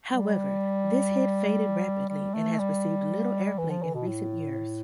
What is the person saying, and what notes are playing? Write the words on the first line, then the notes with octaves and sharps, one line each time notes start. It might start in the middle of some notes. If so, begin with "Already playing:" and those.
However, this hit faded rapidly and has received little airplay in recent years.
G3
G3
A3
G3
E3
F3
E3
B2
A2